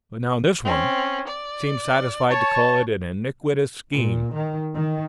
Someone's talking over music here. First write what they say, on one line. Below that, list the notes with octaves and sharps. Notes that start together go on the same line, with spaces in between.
But now this one seems satisfied to call it an 'iniquitous scheme'.
C4 C#4
D5
C#5 A5 C#6
A#2
D#3
D#3